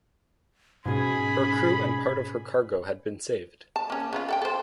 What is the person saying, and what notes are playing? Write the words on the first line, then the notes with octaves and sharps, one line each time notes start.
Her crew and part of her cargo had been saved.
G#2 B2 C#4 G#4 G#5 B5
A5
A#3 C#4
C#3 B3 F4
A4 F#5 G5
A4 C5